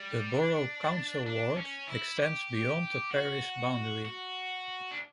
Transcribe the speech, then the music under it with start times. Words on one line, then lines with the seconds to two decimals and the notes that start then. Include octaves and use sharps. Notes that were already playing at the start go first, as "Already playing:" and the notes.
The borough council ward extends beyond the parish boundary.
Already playing: G3
0.33 D4
1.26 D4
1.57 C#4
1.88 E4
2.19 G4
3.12 F#4
4.05 F#4
4.91 D4